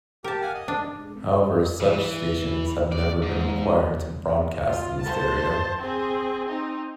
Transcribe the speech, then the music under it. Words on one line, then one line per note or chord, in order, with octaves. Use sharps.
However, such stations have never been required to broadcast in stereo.
G4 A#4 A5
F5 F#5 G#5
D#5 D#6
D4
E3
D5
G#2
F4
C5 A5
C4 G#4
C4 D#4